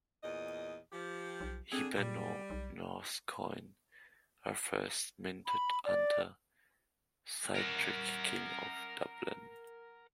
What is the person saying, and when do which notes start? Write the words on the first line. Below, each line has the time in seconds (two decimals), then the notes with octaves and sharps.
Hiberno-Norse coins were first minted under Sihtric, King of Dublin.
0.23 E2 A#2 D#5
0.93 F3 G4
1.40 B1
1.72 D3 C4 G#4
1.96 A#2 G3
2.50 B1
5.47 B5
5.85 D5
7.55 A#4 F#5